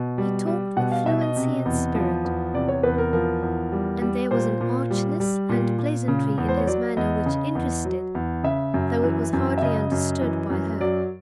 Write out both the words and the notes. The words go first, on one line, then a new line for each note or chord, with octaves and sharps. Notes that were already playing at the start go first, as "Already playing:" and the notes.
He talked with fluency and spirit--and there was an archness and pleasantry in his manner which interested, though it was hardly understood by her.
Already playing: B2
G3
G3
B2 F#5
F5
B2 E5
D#5
C3
E2
F3
E2
C3 D5
C#5
E2 B4
A#4
F3 A#4
E2
G3
G3
A#2 C5
A#2
G3
G3
A#2
A#2
C#3
E2
C5
C#5
F#3 D5
E2 D#5
C#3
E2
F#3
E2
C#3 E5
F#2
E3
F#2
E5
C#3 D#5
F#2
E3
F#2
F#3 D5